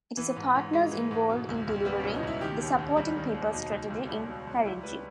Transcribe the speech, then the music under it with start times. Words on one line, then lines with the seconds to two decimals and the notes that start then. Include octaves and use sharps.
It is a partners involved in delivering the Supporting People strategy in Haringey.
0.17 E3 B3
0.36 G#2
0.55 G#2
0.73 G#3
0.92 E3
1.11 G#2
1.30 B2
1.49 C#2
1.67 C#2
1.85 G3 B3
1.99 C#4
2.04 B2
2.14 D#4
2.23 C#2 E4
2.41 D#3 G4
2.61 D#2
2.79 D#2
2.97 G3
3.17 D#3
3.34 D#2
3.53 B2 D#4
3.72 C#2
3.90 C#2
4.09 G3
4.28 B2
4.47 C#2
4.65 G3 E4
4.83 G3 B4